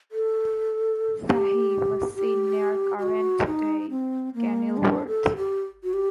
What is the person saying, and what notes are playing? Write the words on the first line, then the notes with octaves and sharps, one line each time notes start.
Fahy was seen near current day Kenilworth.
A4
G4
G4
G4
F#4
D#4
C4
A#3
D4
A4
G4
F#4
G4